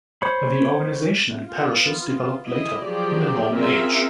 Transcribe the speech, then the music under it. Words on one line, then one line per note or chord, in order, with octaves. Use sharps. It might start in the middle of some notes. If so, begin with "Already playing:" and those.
The organization in parishes developed later, in the Norman age.
C5 C#5 B5
B3 F4
E4 D#5
F3 F#3 G4 G#4 D5
C4 C#4 F4 G#4 A#4 E5